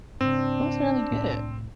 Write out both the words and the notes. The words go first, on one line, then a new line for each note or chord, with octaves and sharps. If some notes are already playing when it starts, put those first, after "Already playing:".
it was really good.
G#2 C#3 C4 D4
C2 A2 A3